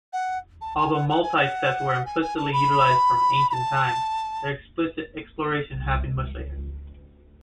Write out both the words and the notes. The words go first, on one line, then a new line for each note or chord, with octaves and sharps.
Although multisets were implicitly utilized from ancient times, their explicit exploration happened much later.
F#5
A5
G#5
F#5
F#5
G#5
G#5
F#5
G#5
G#5
A5
B5
B5
A5